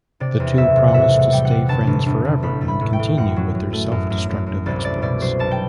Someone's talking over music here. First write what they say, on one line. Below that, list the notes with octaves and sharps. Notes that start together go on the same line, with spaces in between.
The two promise to stay friends forever and continue with their self-destructive exploits.
C3 D5
E2
F#1 E5
C3
F#5
A2 E5
A2
F#5
G3 G5
F#5
G3
G1 A5
G1
G1
G1
A1 B5
A3
B5
A2
G5
A2
F#2 F#5
F#3
F#3
A3
F#2
F#2
F#2
F#2
C2 D5
A3 D5
B2 D5
F#3 C5
B1 A5
G5